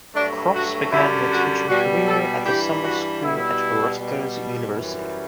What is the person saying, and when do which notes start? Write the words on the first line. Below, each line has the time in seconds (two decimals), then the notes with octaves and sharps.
Cross began her teaching career at the summer school at Rutgers University.
0.14 G2 F#3 A3 D4
0.53 F#4
0.91 F#2 D3 G3 E4
1.29 F#4
1.67 B2 G3 F#4
2.06 A4
2.45 G2 E3 G3 G4
2.83 F#4
3.22 B2 G3 E4
3.99 B2 G3
4.76 F#2 E3 G3